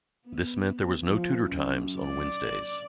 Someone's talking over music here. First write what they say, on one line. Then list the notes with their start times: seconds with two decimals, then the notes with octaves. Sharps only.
This meant there was no tutor times on Wednesdays.
0.28 B3
1.04 F3
1.45 F#2
2.01 D5